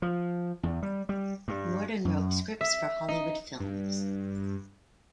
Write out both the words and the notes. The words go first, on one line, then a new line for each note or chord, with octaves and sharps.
Norden wrote scripts for Hollywood films.
F3
E2
G3
G3
G2
F#2
E5
D#4
G2